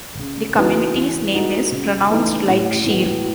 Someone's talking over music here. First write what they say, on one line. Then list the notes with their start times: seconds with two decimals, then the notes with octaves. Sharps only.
The community's name is pronounced like sheer.
0.19 C#3
0.57 E3 B3 D#4 F#4
0.95 E3
1.34 G#3 D#4 F#4
1.72 C#3
2.10 E3 A3 D#4
2.48 A2
2.86 E3 G#3 B3 F#4